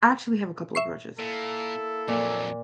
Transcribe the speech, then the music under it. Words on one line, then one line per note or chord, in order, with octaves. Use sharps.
I actually have a couple of approaches.
E5 C#6 C7
A#2 A#3 E4 A4
F2 A#2 F#3